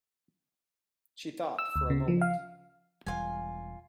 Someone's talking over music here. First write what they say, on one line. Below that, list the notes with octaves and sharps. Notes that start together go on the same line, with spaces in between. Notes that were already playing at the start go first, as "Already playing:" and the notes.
She thought for a moment.
E6
D2
C#3
F3
F5
E1 G3 F4 G#5